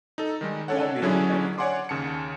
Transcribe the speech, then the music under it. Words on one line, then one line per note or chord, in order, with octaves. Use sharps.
I'll be in the parking lot.
D#4 A4
D#3 G3 G#3
C#4 D4 A4 C#5 F#5
D3 F#3 C#4 D4 E4 G#4
C#5 D5 F#5 G#5 C6 D6
D#2 C#3 A5 C#7